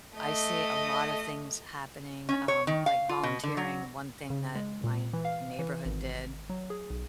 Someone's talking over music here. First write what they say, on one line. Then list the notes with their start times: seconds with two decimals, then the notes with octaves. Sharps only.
I see a lot of things happening, um, like volunteering. One thing that my neighborhood did
0.16 A3 D#5
2.29 C#4
2.48 C#5
2.67 D#3
2.86 F5
3.09 F4
3.23 B2
3.44 D3
3.57 F#3
4.30 C#3
4.55 G#3
4.84 A#2
5.13 E3
5.25 F5
5.59 E3
5.85 G#1
6.50 F#3
6.70 G#4
6.90 B1